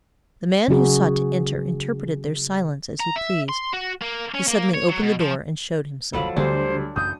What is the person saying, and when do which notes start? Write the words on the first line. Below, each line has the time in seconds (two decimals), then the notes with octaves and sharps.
The man who sought to enter interpreted their silence as he pleased; he suddenly opened the door and showed himself.
0.68 C#3 F#3 F#4 G#4
3.00 A#5
3.16 E5
3.49 C6
3.73 F#4
4.01 A#3
4.34 C#4
4.48 A#3
4.74 C#5
4.89 F#3
5.02 B2
5.21 F3
6.13 G1 D#2 F3 F#3 A4 B5
6.36 D2 C#3 E3 F3 G3 D4 F#4 C5
6.96 A1 F#2 C#3 D#6 G6